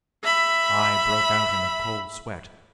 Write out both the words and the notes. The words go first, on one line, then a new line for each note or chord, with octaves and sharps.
I broke out in a cold sweat.
E5 B5